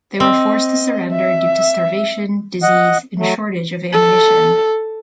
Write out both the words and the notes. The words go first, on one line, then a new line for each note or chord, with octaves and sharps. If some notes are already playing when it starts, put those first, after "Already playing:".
They were forced to surrender due to starvation, disease and shortage of ammunition.
C4 D#5
E5
D#5 F#5
F#3 A3
A4